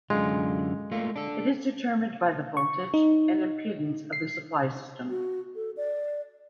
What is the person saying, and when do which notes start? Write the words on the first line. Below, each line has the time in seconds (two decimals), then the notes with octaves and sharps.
It is determined by the voltage and impedance of the supply system.
0.10 F#2 D3 G#3 F4
0.92 A3 A#3 F4
1.16 D4 A4
2.57 C#6
2.94 D#4
4.13 C7
5.10 F#4
5.56 A4
5.77 D5